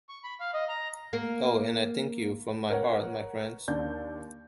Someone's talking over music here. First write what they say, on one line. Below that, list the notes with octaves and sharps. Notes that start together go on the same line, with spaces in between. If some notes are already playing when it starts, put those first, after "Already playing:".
Oh, and I thank you from my heart, my friends.
C#6
B5
F5
D#5
A#5
A#3 A#4
A#4 B4 C#5 F#5
D#2 D4 G6